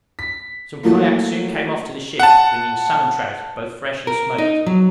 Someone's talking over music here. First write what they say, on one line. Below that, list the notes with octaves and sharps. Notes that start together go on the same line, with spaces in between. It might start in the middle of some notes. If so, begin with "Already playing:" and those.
Some kayaks soon came off to the ship, bringing salmon-trout, both fresh and smoked.
B6
E3 F#3 A3 A#3
F#5 A5
A#4
D#4
F#3